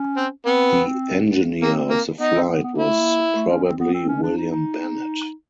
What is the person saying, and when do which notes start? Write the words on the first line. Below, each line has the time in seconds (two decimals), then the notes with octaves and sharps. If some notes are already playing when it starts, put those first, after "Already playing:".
The engineer of the flight was probably William Bennet.
Already playing: C#4
0.17 C4
0.46 B3 C4
1.62 A#3 C4
1.91 A#3
2.20 B3 D#4
2.35 C4
2.49 B3
2.64 B3
2.75 A#3 E4
2.87 A3
3.00 A#3
3.36 A3
3.50 C#4
3.65 C4
3.80 B3
3.94 C4
4.09 C#4
4.23 D4
4.37 D#4
4.52 D#4